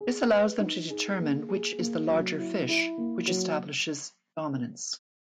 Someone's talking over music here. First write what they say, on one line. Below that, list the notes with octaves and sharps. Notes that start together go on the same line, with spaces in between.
This allows them to determine which is the larger fish, which establishes dominance.
G#4
B4
D#4
G#4
A#3
G#4
A#3
F#3
E4
E4
A#3
F#3